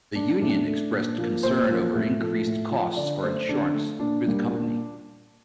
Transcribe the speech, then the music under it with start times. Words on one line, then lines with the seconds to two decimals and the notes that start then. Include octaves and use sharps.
The union expressed concern over increased costs for insurance through the company.
0.15 A3 D4
0.41 A2 D4
0.67 A3
0.92 A#2
1.18 F3 A#3
1.43 A#2 C5
1.69 F3 A#3
1.95 A2
2.20 F3 A3
2.47 A2
2.71 F3 A3
2.97 D3 D5
3.22 A3 C5
3.49 D3 D4
3.74 A3
3.99 A#2 D4
4.26 G3 A#3
4.50 A#2